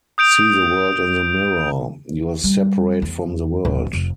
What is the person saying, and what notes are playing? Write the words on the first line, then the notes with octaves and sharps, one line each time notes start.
See the world in the mirror, you're separate from the world.
D#6 G6 D7 F7
G3
E2
D1
F1